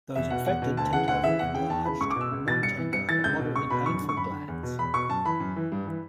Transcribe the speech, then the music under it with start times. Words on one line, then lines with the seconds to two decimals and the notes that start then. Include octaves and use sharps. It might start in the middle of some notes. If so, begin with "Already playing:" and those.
Those infected tend to have enlarged, nontender, but moderately painful glands.
0.15 E2 E5
0.30 B2 F#5
0.46 E2 F#5
0.62 B2
0.77 D2 A5
0.93 C#3 E3 F#5
1.08 D2 F#5
1.23 C#3 E3 E5
1.39 E2 F#5
1.54 C#3 E3 G5
1.70 E2 A5
1.85 C#3 E3 B5
2.00 C#2 C#6
2.10 D6
2.16 B2 E6
2.31 C#2
2.47 B2 A6
2.62 G2 C#7
2.78 E3
2.93 G2 C#7
3.09 E3 A6
3.24 C#2 G6
3.40 B2
3.55 C#2 C#6
3.70 B2 B5
3.86 F#2 C#6
4.02 D3
4.09 C#6
4.17 F#2 B5
4.32 D3
4.48 E2
4.63 B2
4.79 E2 B5
4.94 B2 C#6
5.09 F#2 A5
5.25 E3 B5
5.40 F#2
5.56 E3
5.72 G2
5.87 E3